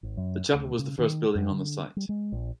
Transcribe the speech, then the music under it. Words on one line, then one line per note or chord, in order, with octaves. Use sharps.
The chapel was the first building on the site.
G#1
F#2
D2
C#3
D#3
F#2
D3
G3
G#3
A#1